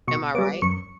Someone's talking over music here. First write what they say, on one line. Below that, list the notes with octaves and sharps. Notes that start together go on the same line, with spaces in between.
Am I right?
B2 C#6
G3 B3 D6
F#2 C#6